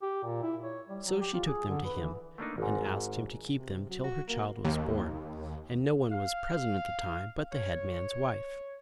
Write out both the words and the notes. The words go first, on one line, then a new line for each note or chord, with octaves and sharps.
So she took them to him and asked him to keep them till her child was born; and no one was present at the time but the headman's wife.
G4
A#2
E4
C#5
G3
F#3
G4
F4
G#4
D3
B4
E3
A3 A#3 D4 D#4
G#1 G#2
C3
F#3
F#4
A#3
D#2
F5
C#5